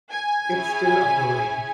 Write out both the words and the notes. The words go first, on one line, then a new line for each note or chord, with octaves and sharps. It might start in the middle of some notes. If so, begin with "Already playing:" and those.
It’s still uploading.
G#5
C#4 E4 G#4